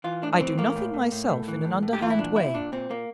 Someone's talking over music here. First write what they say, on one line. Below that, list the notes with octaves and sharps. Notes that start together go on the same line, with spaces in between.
I do nothing myself in an underhand way.
E3 F4
A2 D4
D4
E3 C4
A2 A#3
A2
A2
A2
A2
E3
A2
A2
G4
E3 F4
E4
A#2 D4
A#2 E4
A#2 D4
A#2 C4
A#2 A#3